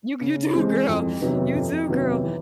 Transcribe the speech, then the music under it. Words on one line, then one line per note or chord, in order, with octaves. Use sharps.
You d you do, girl. You do, girl.
C#3
E3 G#3 C4
F2
C3 D#3 F#3 B3
F2
C3 D#3 F#3 B3
E3